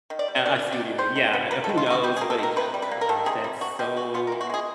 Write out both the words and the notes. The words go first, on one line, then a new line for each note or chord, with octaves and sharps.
I I see what you mean, yeah, uh, who knows? But, yeah, gosh, that's so
D#3
D5
G3
D#3 D5
B3
D5
D#3
G3 C5
D#3
B3
A#3 B4
A4
D#3
F4
C3 F#4
G3 G4
G#4
A#3
A4
D#3 A#4
C3 B4
G3
B4
A#3
A#4
D#3 A4
C3 G#4
G3
E3 F#4
G#3 G4
E3 F#4
B3 F4
A#4
E3
F#4
G#3 G#4